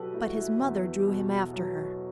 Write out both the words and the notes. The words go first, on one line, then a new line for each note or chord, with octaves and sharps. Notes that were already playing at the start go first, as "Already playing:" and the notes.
But his mother drew him after her.
Already playing: B2 F#3 F#4 G4 A4 B4
A3 E4
F#4
E4
E2
B2
F#3